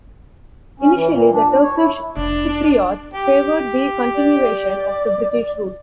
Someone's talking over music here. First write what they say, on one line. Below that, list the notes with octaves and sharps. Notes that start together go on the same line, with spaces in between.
Initially, the Turkish Cypriots favoured the continuation of the British rule.
C#4
E3
A#2
D4
D4
C#5
E4
F1 D4
G4
D5